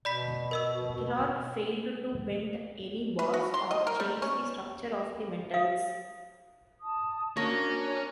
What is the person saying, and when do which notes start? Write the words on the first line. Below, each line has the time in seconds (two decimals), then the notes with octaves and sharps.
Girard failed to bend any bars or change the structure of the metals.
0.05 B2 D5 B5 B6
0.51 A#4 D#5 E6
3.19 B4
3.34 F#4
3.54 C6
3.71 D#5
3.87 A#4
4.00 G3
4.22 C#4
5.54 F5 D#6
6.82 A5 D#6
7.37 A#3 C#4 D4 F#4 C#6 F#6 A#6